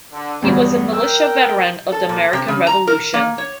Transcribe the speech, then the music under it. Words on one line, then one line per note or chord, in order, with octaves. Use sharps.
He was a militia veteran of the American Revolution.
D3
E2 G2 F#3 B3
A#4 G5 E6
A4
A#2
C3
C#3
A#5
A#4
A#3
C#5